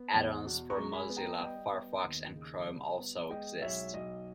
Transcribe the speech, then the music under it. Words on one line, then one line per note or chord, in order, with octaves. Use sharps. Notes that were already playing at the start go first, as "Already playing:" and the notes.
Add-ons for Mozilla Firefox and Chrome also exist.
Already playing: B3
E2
B2
A#5 C#6
G#3
G#5 B5
B3
G5 A#5
G3 D#5 G5
B3
D#2
C#3
G3
B3
G#3 D#5 G5
B1 C#5 E5
B1 D#5